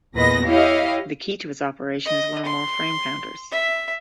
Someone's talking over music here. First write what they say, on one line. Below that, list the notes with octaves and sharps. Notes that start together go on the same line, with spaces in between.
The key to its operation is one or more frame counters.
E2 A#2 B3 B4 D#5 A#6
E4 G4 C#5 D#5 F5
D#5
C6
E5